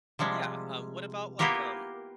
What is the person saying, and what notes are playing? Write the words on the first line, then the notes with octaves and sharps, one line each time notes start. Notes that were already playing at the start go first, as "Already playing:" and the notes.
Yeah, um, what about, like, um
C3 F3 G3 G#3
A#3 B3 E4 F4 G4 A#4